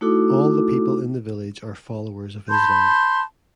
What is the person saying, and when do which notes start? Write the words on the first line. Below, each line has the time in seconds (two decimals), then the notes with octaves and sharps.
All the people in the village are followers of Islam.
0.01 A3 D#4 E4 F#4 A4 D6
2.50 A5 B5 C6 G6